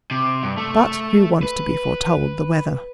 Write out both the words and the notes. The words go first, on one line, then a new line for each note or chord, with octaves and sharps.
But who wants to be foretold the weather?
C3
G2
A3
B4